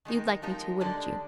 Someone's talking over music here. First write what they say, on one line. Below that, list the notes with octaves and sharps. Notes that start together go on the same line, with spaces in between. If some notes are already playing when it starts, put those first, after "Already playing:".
You'd like me to, wouldn't you?'
D#3 G#3 D#4 A#4
F3 G#3 D#4 G4 A#4
D3 G#3 D4 G4 D5